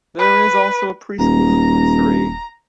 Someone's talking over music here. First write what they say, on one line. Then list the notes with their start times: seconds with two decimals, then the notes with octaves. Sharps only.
There is also a pre-school and a nursery.
0.18 B4
1.19 D#1 A#5